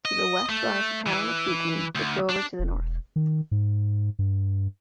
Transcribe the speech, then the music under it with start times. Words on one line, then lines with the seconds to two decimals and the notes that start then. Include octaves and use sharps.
To the west lies the town of Beekman, with Dover to the north.
0.05 D#5
0.49 A3
1.06 E3
1.95 D2
2.29 D4
2.59 E1
3.16 D#3
3.51 G#2
4.19 G2